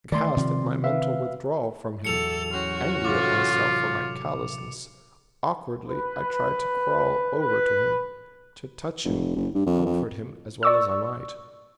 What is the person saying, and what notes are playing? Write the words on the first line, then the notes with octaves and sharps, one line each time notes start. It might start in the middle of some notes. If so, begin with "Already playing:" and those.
Aghast at my mental withdrawal from him, angry at myself for my callousness, awkwardly I tried to crawl over to him, to touch him, comfort him as well as I might.
D#3 A3 D5 C6
C3 D#3 F3
B4 E5 F5
E2 A2 F#3 A4 C#7 F7
C#4 F#4 G5 C6
A2 C3 F#3 F4 D6
B4
B4
F1
F#1
G2
F2
F2
D5 C#6 E6